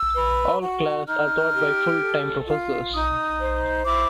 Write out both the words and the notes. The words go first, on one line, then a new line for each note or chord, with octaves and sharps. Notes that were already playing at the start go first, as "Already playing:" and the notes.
All classes are taught by full-time professors.
Already playing: E6
B4
F#4
D#4 F6
G4
A4
F4
D#4 D#6
C5
E4 D6